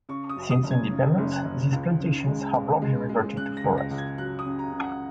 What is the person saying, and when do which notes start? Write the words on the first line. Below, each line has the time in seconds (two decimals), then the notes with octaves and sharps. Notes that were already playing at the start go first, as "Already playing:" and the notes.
Since independence, these plantations have largely reverted to forest.
0.09 C#3 C#6
0.29 D#6
0.36 F#2
0.50 D#6
0.63 F#1
0.71 G#6
0.91 C#3
1.18 F#1
1.32 F#6
1.45 F#1
1.72 C#2
2.00 C#3
2.27 G#3
2.55 C#3
2.82 G#3
3.09 G#3
3.37 C#3 F#6
3.57 A#6
3.64 C#2
3.78 A#6
3.91 C#2
3.98 G#6
4.18 F#3 F#6
4.39 D#6
4.46 C#3
4.59 A#5
4.73 C#3
4.80 F#5